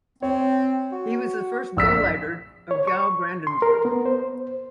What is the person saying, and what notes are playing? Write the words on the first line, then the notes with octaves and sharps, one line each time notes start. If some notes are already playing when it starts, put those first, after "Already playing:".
He was the first "Gauleiter" of Gau Brandenburg.
C4 C#5
F#4
A#1 E6 B6
C#5
C#6
C6
A#4
B3
C5